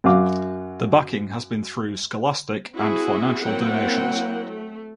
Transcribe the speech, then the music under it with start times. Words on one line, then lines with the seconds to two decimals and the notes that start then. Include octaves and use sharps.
The backing has been through scholastic and financial donations.
0.04 F#2 F#4 F5 D6
2.74 C4 E4 F#4 G#4
3.44 F#3 A#3 C4 E4 F#5 G5
4.47 A3